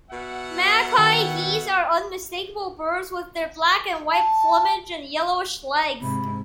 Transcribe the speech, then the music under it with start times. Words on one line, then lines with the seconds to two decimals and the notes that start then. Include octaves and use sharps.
Magpie geese are unmistakable birds with their black and white plumage and yellowish legs.
0.10 B2 E5 F#5
0.98 D#3 G5
4.12 A5
6.01 G#2 C3 B5